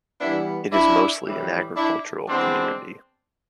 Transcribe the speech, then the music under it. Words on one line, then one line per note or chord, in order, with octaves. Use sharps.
It is mostly an agricultural community.
E3 G3 B3 D4 E4
D4 E4
A2 E3 G3
D4 E4
E3 G#3 B3 C4 D4